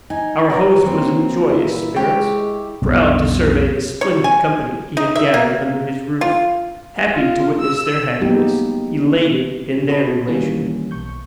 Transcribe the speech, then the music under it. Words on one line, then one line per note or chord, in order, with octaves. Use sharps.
Our host was in joyous spirits; proud to survey the splendid company he had gathered under his roof; happy to witness their happiness; elated in their elation.
D#4 G#5
F#4 A#4 B4 C#5
F#3 A#3 C4
G2 A#2 E3 E4
G#3 G4 C#5 G5
B1 F2 G3 B3
C#5
G#5
D#4
E5
A#3
F4
F4
E6
F#3 G#3 A#3 B3 D#4 G4
C#4 F#4 C5 D#5 A5 B5
D#3 E3 G3 A#3 C#4
B1 C#6 G6